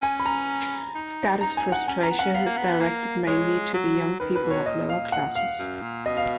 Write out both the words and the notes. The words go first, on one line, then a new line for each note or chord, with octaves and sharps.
Status frustration is directed mainly to the young people of lower classes.
C#4 G#5
B5
A#5
D#4
D#4 A#5
G#5
F#5
C#4 G#5
C#4 A#5
B3
C#4 F#5
B3 F5
A#3
B3
A#3
G#3 C#5
F#3
D#3 B4
B4
B2
C#5
A#2 D#5
F5
F#5
F5
F#2
A#2
B2 D#5
F5